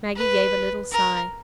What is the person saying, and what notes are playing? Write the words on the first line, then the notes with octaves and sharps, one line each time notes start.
Maggie gave a little sigh.
B4
A#4